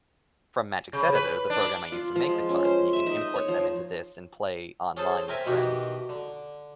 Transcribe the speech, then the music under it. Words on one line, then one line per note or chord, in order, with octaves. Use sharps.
from Magic's Editor, the program I used to make the cards, and you can import them into this and play online with friends.
C#3
B4
D4
F4
F3
G#3
C#4
C5
E5
D#4
D#5
C#5
F3
C#4 G#4 A4 C5 A5
C4 A#4 E5 G#5
B2 D#3 E3 F#4 G4
D3